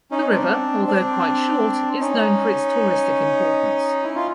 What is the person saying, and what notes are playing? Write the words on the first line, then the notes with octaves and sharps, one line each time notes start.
The river although quite short is known for its touristic importance.
C#4 D#4
C4 D4
C4 D4
C#4 D#4
E4
F4